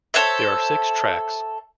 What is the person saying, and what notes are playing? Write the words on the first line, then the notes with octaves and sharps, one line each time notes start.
There are six tracks.
A4 C5 C#5 E5